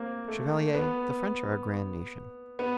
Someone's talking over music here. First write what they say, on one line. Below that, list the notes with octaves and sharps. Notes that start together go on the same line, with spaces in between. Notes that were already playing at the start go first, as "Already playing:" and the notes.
Chevalier, the French are a grand nation.
Already playing: A#3 C4
A3
B3
B3